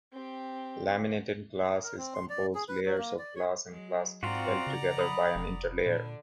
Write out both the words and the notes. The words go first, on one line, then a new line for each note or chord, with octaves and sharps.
Laminated glass is composed layers of glass and plastic held together by an interlayer.
C4 G4
A#4
C4
C6
D5
G#4
B4
F#3
A#3
D5
C#5
F#3 G#3
G#2 C4 F4 F#4 D5 F#5 A#5
C#3
B5 D#6
F1
A#2 D3 D4